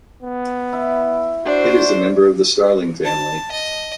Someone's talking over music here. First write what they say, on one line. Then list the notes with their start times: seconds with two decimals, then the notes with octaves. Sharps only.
It is a member of the starling family.
0.23 B3
0.73 E4
1.45 D4 F#4 C5
3.05 A5
3.52 D#5